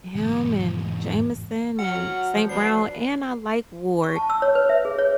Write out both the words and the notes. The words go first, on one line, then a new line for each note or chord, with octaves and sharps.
him and Jameson and St. Brown, and I like Ward.
E2 G#2
F#3 F#5 F6
F3
F#3 B3 D4 C7
C#6
A5
E6
C#5
B4
E5
G#4
C#5